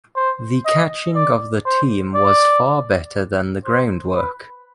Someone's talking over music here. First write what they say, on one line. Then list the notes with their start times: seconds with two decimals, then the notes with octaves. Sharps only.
The catching of the team was far better than the ground work.
0.16 C5
0.66 D#5
1.16 D5
1.66 C5
2.15 D5
3.65 C5
4.15 B4